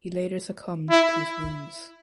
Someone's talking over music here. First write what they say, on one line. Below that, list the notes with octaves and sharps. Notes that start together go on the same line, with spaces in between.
He later succumbed to his wounds.
E4